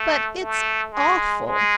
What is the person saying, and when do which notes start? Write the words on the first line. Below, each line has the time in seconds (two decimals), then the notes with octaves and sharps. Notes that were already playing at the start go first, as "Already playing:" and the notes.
"But, it's awful."
Already playing: A3
0.40 A3
0.92 G#3
1.46 G#3